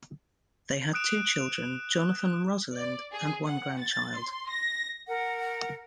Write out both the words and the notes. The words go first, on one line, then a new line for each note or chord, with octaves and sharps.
They had two children, Jonathan and Rosalind, and one grandchild.
D#6 F#6 D7 E7
D5
G#4
F#5
A6
C6
A#6
A#4 F#5